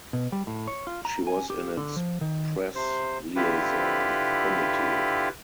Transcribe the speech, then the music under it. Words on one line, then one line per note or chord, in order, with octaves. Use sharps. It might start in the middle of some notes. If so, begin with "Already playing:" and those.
She was in its Press Liaison Committee.
B2
G3
A2
C#5
F4
A#5
G#5
G4
D3
F3
D#3
C3 C5
D3 E4 F4 G4 B4